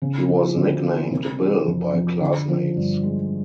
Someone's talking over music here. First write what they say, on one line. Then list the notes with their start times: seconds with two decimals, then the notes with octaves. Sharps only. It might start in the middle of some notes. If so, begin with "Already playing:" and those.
He was nicknamed "Bill" by classmates.
0.02 C#3
0.29 F3
0.56 D2
0.84 A#3
1.11 C3
1.38 E3
1.66 F2
1.93 F2
2.21 D3
2.48 F3
2.76 G2
3.03 G#3